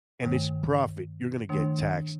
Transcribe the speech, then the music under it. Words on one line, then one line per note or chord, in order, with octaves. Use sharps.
and it's profit, you're going to get taxed
G2 D#3 A3
D#3 A3 D4